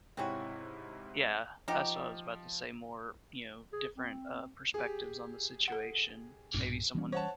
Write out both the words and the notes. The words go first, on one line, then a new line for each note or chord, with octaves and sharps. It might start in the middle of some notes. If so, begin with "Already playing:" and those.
Yeah, that's what I was about to say more you know, different, uh, perspectives on the situation. Maybe someone
G#2 C3 C4 C#4 E4 F#4
F3 D#4 F#4 G4
G#4
C4
G4 G#4
A4 F#5
B1 G2 A#2
E3 G3 C#4
C5 C#5 F#5 A5